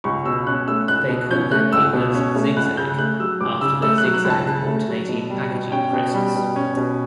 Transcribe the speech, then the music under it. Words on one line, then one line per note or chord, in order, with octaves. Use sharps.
They called their papers Zig-Zag after the zigzag alternating packaging process.
C#2 C#6
B2 E6
C#4 F#6
A3 E6
C#2 F#6
B2
C#4 G6
A3 F#6
C#2 E6
B2
C#4
A3
C#2 F#6
C#3 G6
A3 F#6
F#3 E6
C#2 D6
C#3 E6
A3 E6
F#6
F#3
F#6
C#2
A5
C#3
A3
F#3
B2
G3
B2
C#4 G5
B2
G3
B2
C#4
B2